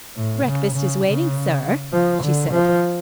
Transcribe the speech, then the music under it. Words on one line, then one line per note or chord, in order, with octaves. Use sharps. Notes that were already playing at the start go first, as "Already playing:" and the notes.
"Breakfast is waiting, sir," she said.
A2
C#3
C#3
C#3
F3
D3
F3